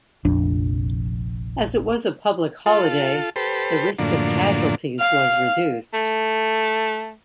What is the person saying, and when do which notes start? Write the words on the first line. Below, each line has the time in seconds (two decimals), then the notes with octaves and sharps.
As it was a public holiday, the risk of casualties was reduced.
0.25 F1 A#1 F2 D4
2.66 F4 A4
3.36 G4 A4 B4 C5
3.99 F#2 A2 D3 F3 A#3 D4
4.99 F5
5.94 A3